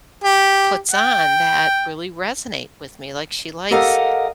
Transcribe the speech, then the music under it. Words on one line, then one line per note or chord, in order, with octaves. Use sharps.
puts on that really resonate with me. Like, she likes
G4
G5
G4 A4 A#4 D#5 F5 F#5